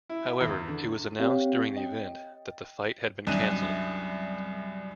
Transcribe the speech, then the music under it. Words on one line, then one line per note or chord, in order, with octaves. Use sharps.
However, it was announced during the event that the fight had been cancelled.
E4
E2
D3
C4 G4 C#5 F5 G5
D#5 G5
C2 F#2 D4 D#5 F#6 D#7